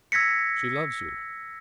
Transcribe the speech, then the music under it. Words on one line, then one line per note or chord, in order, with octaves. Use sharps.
She loves you.
E6 G#6 A#6 B6 C#7